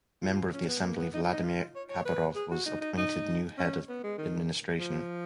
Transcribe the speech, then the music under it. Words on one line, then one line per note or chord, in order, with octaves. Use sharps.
Member of the Assembly Vladimir Khabarov was appointed new head of administration.
F4
C#4
B3
A#3
B3
D#4
F4
D#4
F4
C#5
C#5
B4
G#4
F#4
D#4
D#4
D#4
C#4
B3
G#3
D#3
F3